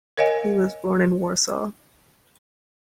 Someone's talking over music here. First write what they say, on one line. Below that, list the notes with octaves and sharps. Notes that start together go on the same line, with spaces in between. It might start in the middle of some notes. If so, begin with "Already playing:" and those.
He was born in Warsaw.
A#4 C#5 D#5 F5 G#5